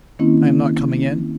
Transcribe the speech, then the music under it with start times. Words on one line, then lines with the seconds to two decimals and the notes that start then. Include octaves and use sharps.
I am not coming in.
0.19 D#3 A#3 C4 C#4 E4